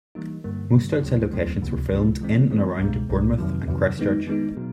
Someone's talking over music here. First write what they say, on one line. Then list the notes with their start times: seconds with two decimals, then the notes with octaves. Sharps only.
Most outside locations were filmed in and around Bournemouth and Christchurch.
0.15 E3 G3 A#3 D#4
0.44 G2 D3 G3 A#3
0.74 G2 D3 G3 A#3
1.03 D2 C#3 F#3 A3 C4
1.33 D2 C#3 F#3 A3 C4
1.62 C#2 C3 F3 A#3
1.91 C#2 C3 F3 A#3
2.21 E3 G#3 C4
2.51 E3 G#3 C4
2.80 C2 B2 G#3
3.10 C2 B2 G#3
3.38 F2 C3 D#3 F#3
3.68 F2 C3 D#3 F#3
3.98 D#3 G#3 B3 D#4
4.27 D#3 G#3 B3 D#4
4.57 B2 F#3